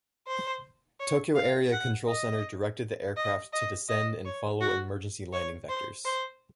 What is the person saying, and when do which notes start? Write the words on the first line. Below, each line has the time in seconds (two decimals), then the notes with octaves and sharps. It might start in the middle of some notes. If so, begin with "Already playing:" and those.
Tokyo Area Control Center directed the aircraft to descend and follow emergency landing vectors.
0.28 C5
1.00 C#5
1.35 F5
1.72 F#5
2.08 D#5
3.16 D#5
3.53 D#5
3.89 D#5
4.25 C#5
4.61 F#4
5.33 C#5
5.69 C5
6.05 C5